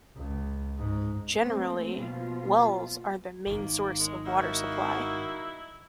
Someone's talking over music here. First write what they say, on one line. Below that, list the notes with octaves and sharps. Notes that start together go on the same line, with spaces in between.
Generally wells are the main source of water-supply.
C#2
G#2
A3 A#3 C4
B2 F3 A#3 F4
G#1 D#3 A#3
G#3
A#3 D#4 E4 F#4